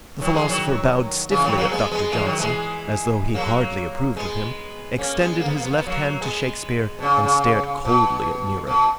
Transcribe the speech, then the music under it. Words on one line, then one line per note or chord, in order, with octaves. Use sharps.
The philosopher bowed stiffly at Doctor Johnson, as though he hardly approved of him, extended his left hand to Shakespeare, and stared coldly at Nero.
D#3 F#3
E3 G#3
D#3 F#3
C#3 E3
D#3 F#3
F#3 A#3
G#3 B3
G#3 B3
E3 G#3
D#3 F#3
E3 G#3
F#3 A#3
G#3 B3
A#3 C#4
G#3 B3
A#3
B3
A#3
B3
A#3
B3
F#3 A#3
G#3 B3
B2
C#3
C#3
B2
B2